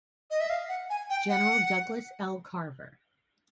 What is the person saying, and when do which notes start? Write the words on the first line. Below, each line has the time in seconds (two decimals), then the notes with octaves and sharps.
General Douglas L. Carver.
0.31 D#5
0.40 E5
0.50 F5
0.69 F#5
0.90 G#5
1.10 G5
1.29 F#5